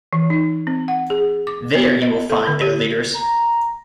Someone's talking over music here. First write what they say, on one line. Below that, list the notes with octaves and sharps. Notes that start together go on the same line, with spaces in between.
There you will find their leaders.
E3
D#4
C4
F#5
G#4
D6
B3
D#5
A4
D3
G4
A#5